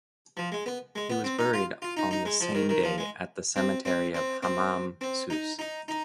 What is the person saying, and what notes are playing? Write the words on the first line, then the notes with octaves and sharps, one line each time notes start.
He was buried on the same day at the cemetery of Hammam Sousse.
F3
G#3
B3
G#3
B3
C4
D#4
F4
F4
D#4
D#4
G#3
F3
D#3
D#3
F3
G#3
C4
C4
C4
C4
C4
D#4
D#4
D#4